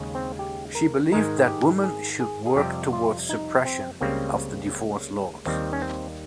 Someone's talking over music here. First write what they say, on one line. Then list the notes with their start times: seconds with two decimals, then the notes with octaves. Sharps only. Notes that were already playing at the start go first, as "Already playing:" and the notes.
She believed that woman should work towards suppression of the divorce laws.
Already playing: D#2 C#3 G#3
0.15 C4
0.39 G4
0.75 A#4
1.12 G#2 D#3 G#3 A#4
1.47 G4
1.84 G#4
2.20 G#4
2.46 G#4
2.56 F2 C3 G3 G4
2.93 F4
3.29 D#4
3.65 C4
4.01 C#2 C#3 G3 A#3 C4
5.46 D#2 D#3 G3 C4
5.73 C#4
5.82 C4